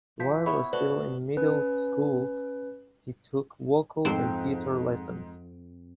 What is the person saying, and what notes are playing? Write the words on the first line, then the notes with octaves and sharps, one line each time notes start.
While still in middle school, he took vocal and guitar lessons.
F3 G6 B6
B3 E4 C#5 C#6
F#4 A4 B4 C5 D5
C#4 B4
F2 G#2 C4 D#4 C5